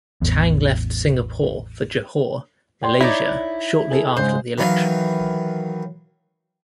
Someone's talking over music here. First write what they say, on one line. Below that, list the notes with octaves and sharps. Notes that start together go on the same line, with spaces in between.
Tang left Singapore for Johor, Malaysia, shortly after the election.
A1 E2
D5 G5 C6
D#4 E4 C#5 D5 A#6
G#4 A4
G#2 C#3 G#3 C5
D#3 E3 F#3 F5